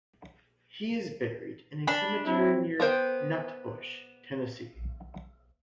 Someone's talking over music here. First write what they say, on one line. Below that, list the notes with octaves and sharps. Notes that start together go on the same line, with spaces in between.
He is buried in a cemetery near Nutbush, Tennessee.
D4 B5
F#3 C4 E4
B3 A#4 C5 G5